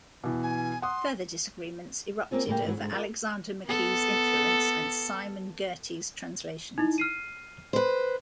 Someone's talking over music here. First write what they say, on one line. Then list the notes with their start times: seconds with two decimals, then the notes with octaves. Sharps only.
Further disagreements erupted over Alexander McKee's influence and Simon Girty's translations.
0.24 B2 E3
0.42 G#5
0.82 F#5 C6 D#6
2.31 A#3 C4 C#4 F4
2.47 A2 C#3 G3 A#3 G5
2.65 G#2 E3 F#3
2.77 G#2 D3
2.92 F4 A#4 D5
3.66 B3 A4
6.78 D#4 E4
6.98 F6 C7 D#7
7.73 B4 C5